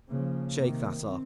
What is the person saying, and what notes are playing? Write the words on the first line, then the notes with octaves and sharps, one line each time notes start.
Shake that off!
C#3 F3 A#3
C3 D#3
C4